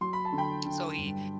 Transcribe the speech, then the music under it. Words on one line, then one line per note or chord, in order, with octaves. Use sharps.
So he
F#3 C6
B5
A5
D3
G5 B5
D3
G2